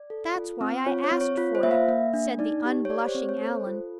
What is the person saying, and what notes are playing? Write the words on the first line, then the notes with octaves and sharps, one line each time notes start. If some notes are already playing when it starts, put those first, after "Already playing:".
"That's why I asked for it," said the unblushing Allan.
Already playing: D5
A4
F4
C4
F4 C#5
C#5
C4
C#5
F4 C#5
C5
A#3 E5
F5
A#3 E5
D4
D#4 D5
G4
C#5
G4 D5
C5
C4 C#5
C#5
A4 C5
F4